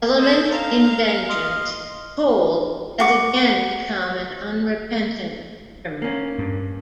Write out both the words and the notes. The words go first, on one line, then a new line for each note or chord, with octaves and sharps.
Element in vengeance, Cold has again become an unrepentant criminal.
A4 C5 D#5
F5 A#5
D#5 C6 F6
F#4 D6
A#3 C#4
G2